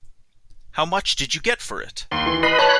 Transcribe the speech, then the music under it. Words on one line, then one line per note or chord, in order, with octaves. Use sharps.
How much did you get for it?
D#2 C6
E3
B4 D#5 B5 C7
B4 C#5 A5 B5 F#6